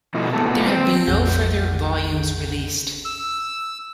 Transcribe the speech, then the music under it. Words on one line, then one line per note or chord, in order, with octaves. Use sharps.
There have been no further volumes released.
B2 F3 A3 E4 D#5
F#2 G#3 A3 B3 A4
A#2 B3
C4
A#1 F2 A3 G#4 F#5 G6
E6